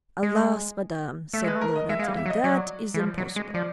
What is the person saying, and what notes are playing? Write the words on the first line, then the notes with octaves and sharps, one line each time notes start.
"Alas, Madame!" said Lord Antony, "that is impossible."
G#3
A3 E5
G#3 B4
A3
A#4
D#5
G#3 E5
G#3
F5
G3
E5
F#3
D#5
F#3 D5
E3
F3
F#3
G#3
F3 D5